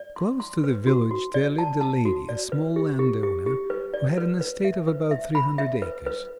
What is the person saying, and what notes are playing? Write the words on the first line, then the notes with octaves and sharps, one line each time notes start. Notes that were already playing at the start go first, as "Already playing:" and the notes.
Close to the village there lived a lady, a small landowner, who had an estate of about three hundred acres.
Already playing: D5
C6
C6
B4
F#4
F#4
D5
A5
A5
F#4
D5
B4
G4
G4
G4
G4
B4
D5
B4
B4
E5
B4
E5
B5
E5
B4
B4